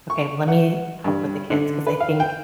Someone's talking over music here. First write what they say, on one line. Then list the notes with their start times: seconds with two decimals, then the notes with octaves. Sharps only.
"Okay, lemme help with the kids," 'cause I think
0.10 C#6
0.48 F#5
1.04 G2
1.50 D3
1.87 B4
2.00 F5
2.20 G5